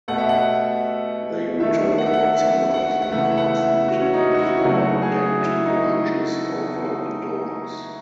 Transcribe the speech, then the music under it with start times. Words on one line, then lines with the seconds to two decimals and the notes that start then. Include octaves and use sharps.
They returned about sunrise and fastened the flower-decked branches over the doors.
0.08 B2 A3 F#5
0.18 E5
0.29 F#5
1.59 D#3 A3 E5
1.98 F#5
2.06 E5
2.14 F#5
2.36 E5
2.74 F#5
3.02 F#5
3.12 C#3 E3 A3 E5
3.31 E5
3.37 F#5
3.62 E5
3.88 F#4
4.01 C#4
4.13 D#4
4.34 F#4
4.39 E4
4.64 C#3 F#3 A3 F#4
5.02 G#4
5.41 E4
5.66 D#4